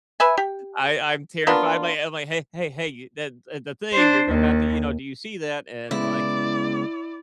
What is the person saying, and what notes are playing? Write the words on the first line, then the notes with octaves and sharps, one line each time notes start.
I'm I'm terrified by I'm like, "Hey hey hey, that, uh, the thing you're about to, you know, do you see that?" And like,
B4 E5 G#5
G4
A#3 B3 D4 F4
D4 C5
D#2
C#3 G#3 B3 E4 D5